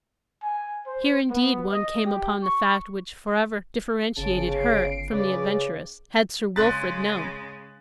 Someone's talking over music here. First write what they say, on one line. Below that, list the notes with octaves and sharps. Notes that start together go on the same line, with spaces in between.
Here, indeed, one came upon the fact which forever differentiated her from the adventuress, had Sir Wilfrid known.
G#5
C5
B3
D#5
G4
C#6
G1 C#3 A5 D7
C7 D7
C#3 B4 D5
C#3 G#3 C6 F#6 A6